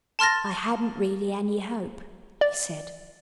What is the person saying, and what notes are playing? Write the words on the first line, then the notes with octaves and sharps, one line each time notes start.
'I hadn't really any hope,' he said.
A5 C6 F6 A6 A#6
D5